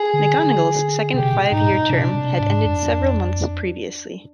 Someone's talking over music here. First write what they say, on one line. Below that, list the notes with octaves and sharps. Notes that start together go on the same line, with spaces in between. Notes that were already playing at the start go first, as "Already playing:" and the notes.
McGonagle's second five year term had ended several months previously.
Already playing: G#4
D3
D3
C3 G4
A#2
G#2 D#4
A#2
C3 D4
C3
G#2
F2
F2